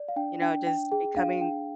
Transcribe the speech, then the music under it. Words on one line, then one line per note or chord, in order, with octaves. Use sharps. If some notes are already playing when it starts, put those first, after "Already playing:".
you know just becoming
Already playing: D5
F5
D4 G5
D4 G5
D4 G5
G#4 G5
D4 F5
D4 G5